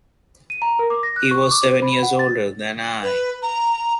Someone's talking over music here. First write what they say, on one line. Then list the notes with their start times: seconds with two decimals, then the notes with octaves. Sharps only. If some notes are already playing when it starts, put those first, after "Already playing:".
He was seven years older than I.
0.50 D#7
0.62 A#5
0.79 A#4
0.90 D6
1.03 A#6
1.16 F#6
1.31 C#6
1.51 D6
1.66 C5
1.82 B5
2.03 F#5
2.19 A6
3.03 B4
3.42 A#5